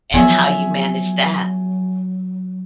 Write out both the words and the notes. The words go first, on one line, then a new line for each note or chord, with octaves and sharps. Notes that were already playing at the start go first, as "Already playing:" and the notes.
and how you manage that,
F3 F#3 B3 F4 G#4 C#5 E5